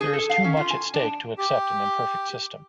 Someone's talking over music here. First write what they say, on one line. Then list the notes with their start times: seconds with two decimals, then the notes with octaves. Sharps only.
There is too much at stake to accept an imperfect system.
0.01 G#4
0.13 A4
0.30 F5
0.44 C#4
0.57 F4
0.70 G#5
0.94 D4
1.38 G4